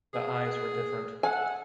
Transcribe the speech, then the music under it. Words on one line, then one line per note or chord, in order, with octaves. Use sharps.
The eyes were different.
G#4
A4 E5 F#5 G#5